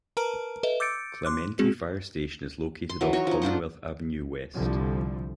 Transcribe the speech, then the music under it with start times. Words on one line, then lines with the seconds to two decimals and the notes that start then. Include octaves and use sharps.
Clementi Fire Station is located off Commonwealth Avenue West.
0.17 A#4 B4 A5 A#5 F6 D7
0.63 A4 B4 D#5 E5
0.80 D6 E6 G6 A6 C#7 D7
1.25 C6 D6 F#6
1.59 G#3 C4 F#4 G#4
2.89 C6
3.01 E3 F#3
3.13 D#4 F#4 C#5
3.27 F3 D#4
3.42 D4 F4 C5 F#5
4.55 C2 D3 F3 G3